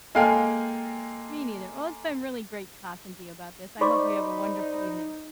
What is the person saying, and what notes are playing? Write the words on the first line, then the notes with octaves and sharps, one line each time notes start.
me neither, well, it's been really great talking to you about this, I hope you have a wonderful evening.
G#3 A#3 A4 F5 G5 G#5
D#4 G#4 C5 D5 B5 C#6 D6